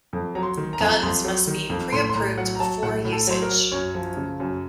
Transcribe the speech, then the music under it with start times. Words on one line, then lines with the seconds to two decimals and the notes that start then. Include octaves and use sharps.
Guns must be pre-approved before usage.
0.13 F2
0.35 F#3 A#5
0.43 C6
0.57 D#3
0.73 A#5
0.81 F2 A5
0.89 A#5
1.03 F2 C6
1.25 F#3
1.47 D#3
1.70 F2
1.92 A2 C6
2.09 C6
2.15 A2 A#5
2.38 F#3 F#5
2.55 A#5
2.60 F#3 A5
2.83 A2 F#5
3.05 A2
3.12 A4
3.27 F#3 C5
3.42 A#4
3.50 F#3
3.72 F#2 C#5
3.95 F3
4.17 C#3
4.40 F#2